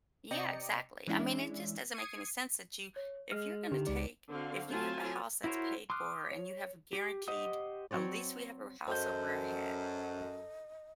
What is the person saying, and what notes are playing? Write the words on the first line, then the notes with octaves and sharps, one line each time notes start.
Yeah, exactly. I mean it just doesn't make any sense that you if you're gonna to take if you have a house that's paid for and you have guaranteed at least we have a r house over our heads,
C3 D5 D#5 G5 A#5 C#7
E3 G#3 C#4 D4 E4
D#6 G#6 C7 C#7 D#7
C#5
G#3 F6
D3 D#3 G4
C#2 G#3 D5
D3 C4 F#4 F5
F#3 A3 C4 F4 G#5 A5
E4 F#4 A#4 C5 C#5
C6 D6 D#6 F6 F#6
C#5
G4
G4 C5 D#5 F#5 D#6
F#3 C4 C#5 D5
F#2 A4 C5 D#5 G6